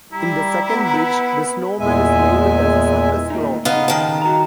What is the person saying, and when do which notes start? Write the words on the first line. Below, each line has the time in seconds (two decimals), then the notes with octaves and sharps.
In the second bridge, the snowman is labeled as a "circus clown".
0.12 G3 E4 A#5
0.71 B3 B5
1.80 E2 A#2 G#3 E5 G#5
3.30 A#2 D#4
3.65 C#3 B3 D#4 D#5 F5
3.88 D#3 A5
4.22 F#4 A#5